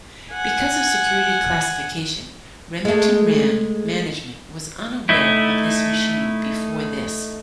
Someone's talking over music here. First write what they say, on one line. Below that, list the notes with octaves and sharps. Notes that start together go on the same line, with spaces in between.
Because of security classification, Remington Rand management was unaware of this machine before this.
F#5 G#5
G#3 A3
A3 D#4 E4